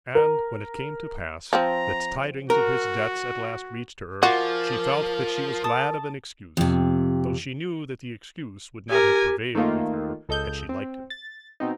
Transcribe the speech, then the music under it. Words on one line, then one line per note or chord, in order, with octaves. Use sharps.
And when it came to pass that tidings of his debts at last reached her, she felt that she was glad of an excuse, though she knew that the excuse would not have prevailed with her had she liked him.
A#4
F3 C4 A#5
F#4 A#4
F3 F4 F#4 A#4 D5 G#5
A5 D#6
F2 C3
G4 A#4 G#5
D#3 A3 A#3 D#4 F4
C#2 A4 D#5 G6
C4
A6
B2 C4 D#4